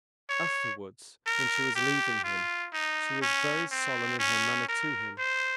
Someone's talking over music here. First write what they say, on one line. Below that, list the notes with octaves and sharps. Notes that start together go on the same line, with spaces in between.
Afterwards, when she was leaving him, she was very solemn in her manner to him.
C#5
A#4
G4
F4
D#4
C#4
C4
C#4
A#4
C5